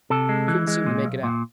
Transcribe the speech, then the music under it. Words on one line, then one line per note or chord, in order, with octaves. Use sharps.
He couldn't seem to make it out.
C3 A4
G#3
E3
G#3
A#2
B1
A#2